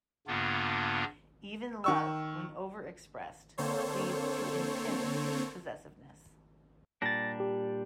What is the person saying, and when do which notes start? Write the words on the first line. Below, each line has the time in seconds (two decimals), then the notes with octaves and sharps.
Even love, when over-expressed, leads to intense possessiveness.
0.27 G2 C#3 A#3 B3 D4 F4
1.84 D#3 C#6 E6
3.58 D3 A#3 C4 A4 C5 C#5
7.02 A#2 G3 D4 A6 A#6
7.40 G4